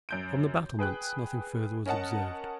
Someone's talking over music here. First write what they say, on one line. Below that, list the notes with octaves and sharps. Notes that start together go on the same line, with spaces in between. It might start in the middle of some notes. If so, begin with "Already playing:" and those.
From the battlements nothing further was observed.
F#2 G6 D7
G#4 B4 G5 F#6
C#4 A#4 D#5 F#5 A5